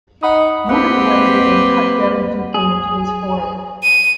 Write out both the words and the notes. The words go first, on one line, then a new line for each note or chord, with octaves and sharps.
Muta bladed and cut very deeply into his forehead.
D#4 F#5 B5 D#6
A#3 C4 G4 B4 F#5
G#4
D#7